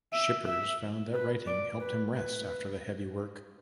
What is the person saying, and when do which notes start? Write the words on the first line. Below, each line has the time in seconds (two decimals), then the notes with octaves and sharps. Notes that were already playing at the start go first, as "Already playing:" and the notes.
Schippers found that writing helped him rest after the heavy work.
0.13 E5
0.47 E5
1.14 B4
1.47 D5
1.80 B4
2.14 B4